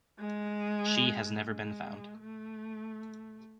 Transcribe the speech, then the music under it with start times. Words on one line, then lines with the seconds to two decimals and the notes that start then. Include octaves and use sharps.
She has never been found.
0.19 G#3
1.52 G#3
2.19 A3